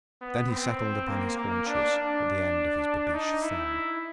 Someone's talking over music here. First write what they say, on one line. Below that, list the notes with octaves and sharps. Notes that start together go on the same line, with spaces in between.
Then he settled upon his haunches at the end of his babeesh thong.
B3
C4
A#3
A#3
D4
D4
D#4
E4